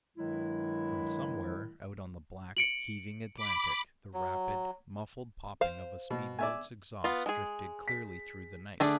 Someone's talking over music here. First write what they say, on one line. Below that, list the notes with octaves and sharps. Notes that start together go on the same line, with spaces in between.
From somewhere out on the black, heaving Atlantic, the rapid, muffled popping of a speed-boat's exhaust drifted clearly through the night.
G2 D#3 F#3 G#3 E4
C#7 D7 F#7
B5 D6
F#3
C5 F5
B2
D5 E5 G#5
B3 F4
G#3 G#4
B6
D3 A3 D4 G#4 D6